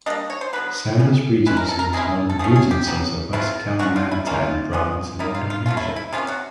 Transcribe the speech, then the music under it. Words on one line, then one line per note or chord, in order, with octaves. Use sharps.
Sambas Regency is one of the regencies of West Kalimantan province in Indonesia.
G3 A#3 D4 D#5
C#5
C5
D3 F#3 B3 B4
C#3 E3 G3
E3 G#3 C#4 E4 B4
A#4
A4
A#4
B2 G#3 C#4 E4 G#4
A4
D3 F3 A3 C#4 G#4
G#4
G4
C#3 F#3 B3
F#3 A3 C4 E4 F4
D3 F3 A#3 C#4 F#4
F4
E4
G3 A#3 C#4 E4 F4
F3 G#3 B3
G3 A#3 D#4 E4
F4
F4
F#3 A3 C#4 F4
E4
E4
C3 F3 A#3 C#4 F4
F#4